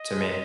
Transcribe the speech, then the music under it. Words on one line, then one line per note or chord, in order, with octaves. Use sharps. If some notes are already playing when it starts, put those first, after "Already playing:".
to me.
Already playing: D#5
G#3